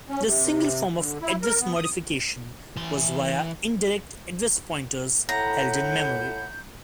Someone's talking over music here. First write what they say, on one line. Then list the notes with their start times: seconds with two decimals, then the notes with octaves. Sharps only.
The single form of address modification was via indirect address pointers held in memory.
0.09 C#4
0.24 C3
0.95 D3
1.22 E4
1.42 A#4
1.60 B3
1.75 D#6
2.77 E3 C6
5.29 A2 F#5 A#5 B5 G6